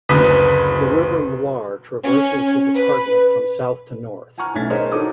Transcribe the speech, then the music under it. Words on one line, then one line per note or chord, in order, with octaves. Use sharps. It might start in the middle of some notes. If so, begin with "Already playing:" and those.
The River Loire traverses the department from south to north.
F#1 D2 B4 D#6 B6
C#4
B4
F#5 G#5 A#5 C#6 F6
B1 A3 C#4 G#6 A6 B6
G#4 A#4 C5 C#5 D#5
D#4 F#4 G4 A4 D6 D#6